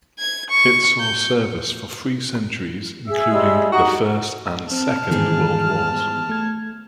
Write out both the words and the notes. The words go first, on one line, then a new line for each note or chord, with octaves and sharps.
It saw service for three centuries, including the First and Second World Wars.
G#6
C#6
G6
G#4 E5 E6
G3 G#3
D#4 F#4
C4 A5 F6
G#2 D#3 E3 G3 B3 G#4
A3 G#6